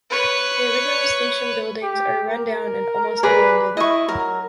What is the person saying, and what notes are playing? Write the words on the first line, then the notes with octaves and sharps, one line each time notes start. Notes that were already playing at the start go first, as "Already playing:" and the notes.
The original station buildings are rundown and almost abandoned.
B4 C#5
G4
A#4
G#4 B4 D5 A#5
E4 D#5 C#6
F#3 A#4